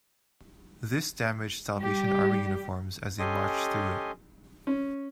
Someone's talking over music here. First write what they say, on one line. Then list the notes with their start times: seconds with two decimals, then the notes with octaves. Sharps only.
This damaged Salvation Army uniforms as they marched through it.
1.79 G3 G4
3.19 C#4 G4 A4 D#5 G#5 C6
4.67 C#4